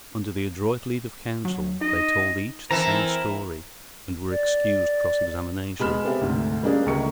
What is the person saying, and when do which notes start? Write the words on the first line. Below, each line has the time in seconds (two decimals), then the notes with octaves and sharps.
Under the adroit lead of counsel, they told each the same story, and were excused cross-examination.
1.45 F#3
1.81 D#4 D#5
2.71 E3 C4 E4 A#4 A5 A#5
4.31 D5
5.79 B2 G#3 B5 F6 E7
6.04 B3 C4 G4 A4 E5
6.21 D2 G#2 C3 A3
6.63 G3 A#3 C#4 D4 G#4
6.86 C#2 D3 A3 A#4 C#6 C#7